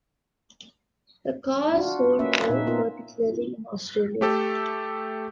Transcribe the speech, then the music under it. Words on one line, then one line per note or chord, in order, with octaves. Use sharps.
The car sold well, particularly in Australia.
D4 F4 F#4
A#3 C#4 B4 E5
A#2 D#4 E5
B3 F4 A#4
A3 G4 A4